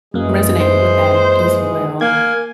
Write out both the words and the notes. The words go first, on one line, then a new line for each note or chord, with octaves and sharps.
resonate with that as well.
F#2 E3 G#3 A#3 G#4
C5
A#3 G#5 G#6